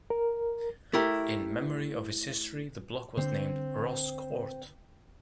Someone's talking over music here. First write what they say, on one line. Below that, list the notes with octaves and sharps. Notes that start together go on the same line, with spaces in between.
In memory of its history the block was named Ross Court.
A#4
A3 E4 G4 A#4
D3 C4